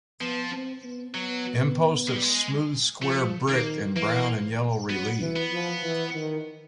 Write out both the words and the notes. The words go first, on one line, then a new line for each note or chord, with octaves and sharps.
Impost of smooth square brick and brown and yellow relieve.
F3 B3
C4
B3
F#3 B3
G#3
G3
G#3
F3 A3
D#3 A#3
E3 A#3
F#3 B3
E3
B3
F3
E3
D#3